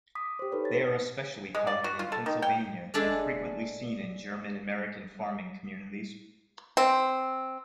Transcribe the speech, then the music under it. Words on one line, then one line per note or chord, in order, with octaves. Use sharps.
They are especially common in Pennsylvania and frequently seen in German-American farming communities.
D6 D#6 B6
G4 C5
D#4 A4 B4 C#5
A6
G#3
D5
F#4
F4
A4
D#3
G5
G#3 A3 D4 A4
C4